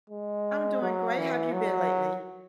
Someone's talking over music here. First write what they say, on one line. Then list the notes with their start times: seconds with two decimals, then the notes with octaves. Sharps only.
I'm doing great. How've you been lately?
0.10 G#3
0.81 F#3
1.18 E3
1.53 F#3